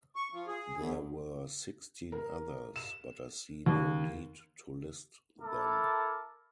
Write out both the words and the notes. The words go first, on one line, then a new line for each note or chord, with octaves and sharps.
There were sixteen others, but I see no need to list them.
C#6
F3
G#4
E2
A#4
E7
D#2
E4 A4 A#4 A5 D6